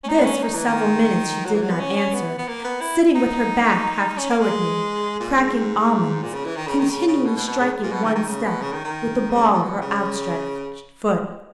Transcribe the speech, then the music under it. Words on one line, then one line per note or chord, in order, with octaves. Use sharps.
This, for several minutes, she did not answer, sitting with her back half toward me, cracking almonds, continually striking one step with the ball of her outstretched foot.
C#4
D#4
B3
C#4
D#4
E3
D#3
F#3
E3
F#3
B3
C#4
C#4
B3
B3
A#3
B3
E4
D#4
C#4
A#3
G#3
A#2
G#2
A#2
C#3
E3
D#3
C#3
D#3
C#3
C#3
B2
B2
B2
G#2
A#2
B2
D#3
D#3
C#3
B2
C#3
D#3
D#3
C#3
A#2
B2
C#3